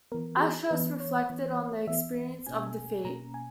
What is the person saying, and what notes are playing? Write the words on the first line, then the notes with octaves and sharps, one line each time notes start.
Ashurst reflected on the experience of defeat.
E3 B3 A#4
F#4
G#4
E3 B3 B4
C#5
E3 B3
E3 B3 E5
B2 A#3 C#4 G#5
B2 A#3 C#4 A#5
G#5